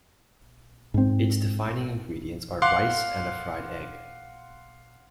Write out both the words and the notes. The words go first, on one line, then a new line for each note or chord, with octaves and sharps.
Its defining ingredients are rice and a fried egg.
G#2 C4
F5 F#5 C6 D6 F6 F#6